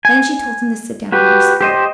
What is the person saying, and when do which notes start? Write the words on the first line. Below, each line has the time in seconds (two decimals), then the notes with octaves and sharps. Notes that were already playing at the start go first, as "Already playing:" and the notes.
Then she told him to sit down on her skirt.
0.05 G#5
1.12 F#4 G4 B4
1.61 G4 C5 D#5